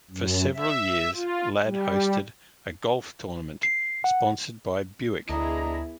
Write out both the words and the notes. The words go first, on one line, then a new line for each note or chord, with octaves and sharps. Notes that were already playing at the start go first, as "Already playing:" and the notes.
For several years, Ladd hosted a golf tournament sponsored by Buick.
F#2
E5
F4
G3
C7
F#5
D2 B3 D4 E4 G#4 D#5 A#5